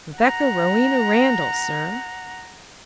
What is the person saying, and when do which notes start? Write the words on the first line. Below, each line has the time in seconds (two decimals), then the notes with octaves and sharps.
"Rebecca Rowena Randall, sir."
0.18 F#5 A#5